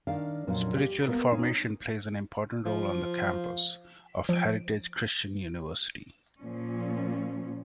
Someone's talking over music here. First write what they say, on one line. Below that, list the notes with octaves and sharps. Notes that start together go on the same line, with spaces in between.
Spiritual formation plays an important role on the campus of Heritage Christian University.
D#3 D4 F5 G5
F2 A#2 F#3 C#4 D4 F4
G4
A#3 B3 A#4 B4
C#4 D#4
F3
F3 D7
A#2 F3 C#4